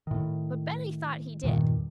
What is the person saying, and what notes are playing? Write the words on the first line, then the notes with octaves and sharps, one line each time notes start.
But Benny thought he did.
A2 D#3
E2 G2 A#2 D#3